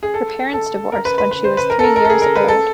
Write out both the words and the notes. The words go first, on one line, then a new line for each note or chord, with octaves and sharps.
Her parents divorced when she was three years old.
G#4
A4
A4
A#4
B4
B4
B4
C5
B4
A#4
A4
A#4
A#4
A4
G#4
A#4
B4
A4